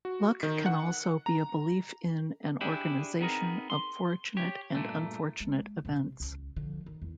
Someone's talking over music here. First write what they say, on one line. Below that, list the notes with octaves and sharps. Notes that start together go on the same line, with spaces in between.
Luck can also be a belief in an organization of fortunate and unfortunate events.
F#4
D#3
F#5
A#5
D4 E4 G4 G#4
B3 C4 D#4 G#4 A#4
C6
G4 C#5
G2 A#2 A3
G#3
C3 C4
C#2
D3 F3
D#3
E2